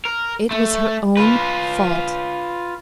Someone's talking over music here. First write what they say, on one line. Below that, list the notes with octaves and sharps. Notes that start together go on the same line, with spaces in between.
It was her own fault.
A#4
A3
F4 B4